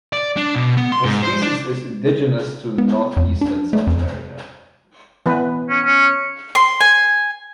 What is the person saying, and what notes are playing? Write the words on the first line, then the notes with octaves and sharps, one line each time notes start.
The species is indigenous to northeastern South America.
D5
D4
B2
B3
C6
G#2
C5
D4
B3
F2
D4
A3
F2
E3 B3 B4
C#4
C#4
C6
G#5